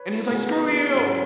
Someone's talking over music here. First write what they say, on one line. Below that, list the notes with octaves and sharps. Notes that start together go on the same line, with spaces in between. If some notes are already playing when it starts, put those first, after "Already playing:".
And he's, like, "Screw you!"
Already playing: B4 C#5
E4
C#3 E3 B3 F#4 G#4
C#4
G#2 F#3 B3 E4 F#4 E5